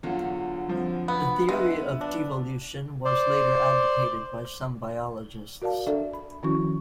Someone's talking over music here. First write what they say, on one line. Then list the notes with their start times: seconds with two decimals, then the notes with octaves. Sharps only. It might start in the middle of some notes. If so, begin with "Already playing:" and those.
The theory of devolution, was later advocated by some biologists.
0.03 E2 D3 F#3 F4
0.68 F2 F3
1.08 B3
1.49 G#3 B3 B4 E5
2.01 D4
3.05 C5 D5
5.62 F#4 A#4 D5 F5 A5
5.87 D4 A4 D5 E5
6.13 B5
6.43 D#3 F3 C#4 E4 F#4 C#6